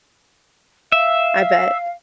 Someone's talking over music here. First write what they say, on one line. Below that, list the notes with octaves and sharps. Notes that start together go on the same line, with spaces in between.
I bet.
E5 F5